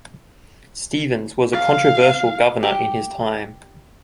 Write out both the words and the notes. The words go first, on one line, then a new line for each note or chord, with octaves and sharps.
Stevens was a controversial governor in his time.
F5
G4